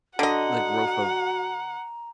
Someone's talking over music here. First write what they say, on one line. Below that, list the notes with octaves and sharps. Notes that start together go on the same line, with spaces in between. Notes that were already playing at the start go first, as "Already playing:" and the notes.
the growth of
D3 F#4 D#5 F#5 A#5